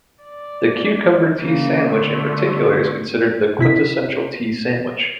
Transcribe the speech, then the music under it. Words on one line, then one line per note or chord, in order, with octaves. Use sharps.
The cucumber tea sandwich in particular is considered the quintessential tea sandwich.
D5
C#3 A#3
D3 A3
C3 E4 B6